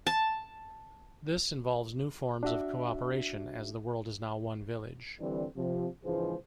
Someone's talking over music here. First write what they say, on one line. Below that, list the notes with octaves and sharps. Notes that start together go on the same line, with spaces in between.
This involves new forms of cooperation as the world is now one village.
A5
D4 F#4 E5
D3 E3 G3 C4 D4
C3 F3
C#2 G#2 E3 F3 G#4 C5